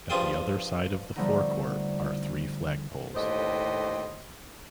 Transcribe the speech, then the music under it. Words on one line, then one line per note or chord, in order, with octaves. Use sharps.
At the other side of the forecourt are three flagpoles.
G2 F3 G3 F4 G#4 G5
D3 F3 G3 A3 B3 D#4
D#2 A2 D3 G4 C5 D#5